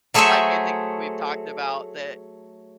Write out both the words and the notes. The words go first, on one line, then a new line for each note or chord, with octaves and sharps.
l like I think we've talked about that
F#3 A3 G#4 C5 C#5 E5